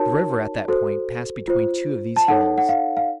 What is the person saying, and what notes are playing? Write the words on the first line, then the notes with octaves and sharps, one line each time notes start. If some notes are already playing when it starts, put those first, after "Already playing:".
The river at that point passed between two of these hills.
Already playing: D#4 F#4 A#4 C#5 A5
F#4 A4 C5
F4 C5
A5
D#4 A4 C#5 F#5
F#5
F5
F5